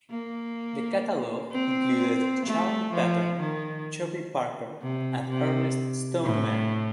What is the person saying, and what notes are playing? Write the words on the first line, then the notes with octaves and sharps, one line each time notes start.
The catalogue included Charley Patton, Chubby Parker, and Ernest Stoneman.
A#3
C4
A3
F3
D#3
C3
C3
A2